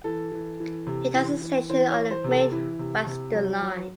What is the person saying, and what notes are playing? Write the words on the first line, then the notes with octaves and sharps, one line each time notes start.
It has a station on the Main Western line.
E3 A4
E3
E3
C3
E3
E3
E3 C5
C#5
E3
C5
C3
A4
E3 E4
C3
C3
F#3
F#3